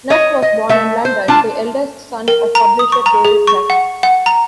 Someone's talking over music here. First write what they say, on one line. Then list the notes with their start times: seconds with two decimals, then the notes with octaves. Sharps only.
Nutt was born in London, the eldest son of publisher David Nutt.
0.10 C#5 D#5
0.42 D#5
0.69 A3 E5
1.05 C5
1.28 D4 F4 A5
2.28 A#4
2.55 A#5
2.79 D#6
2.92 C#6
3.06 A#5
3.25 G#4
3.47 C#6
3.70 F#5
4.03 F#5
4.26 A#5